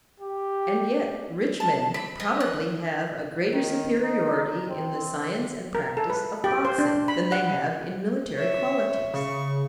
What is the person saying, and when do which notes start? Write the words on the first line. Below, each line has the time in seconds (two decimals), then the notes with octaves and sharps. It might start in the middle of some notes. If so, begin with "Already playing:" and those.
And yet rich men probably have a greater superiority in the science and practise of boxing than they have in military qualities.
0.20 G4
1.60 A5
1.94 B5
2.20 D#5
2.40 F#6
3.52 D#3
4.02 D#4
4.69 C4
5.75 A#4
5.97 A4
6.10 B4
6.44 G4
6.65 C5
6.78 D4
7.08 B5
7.32 F#5
8.35 C#5 E5
9.14 C#3 C#6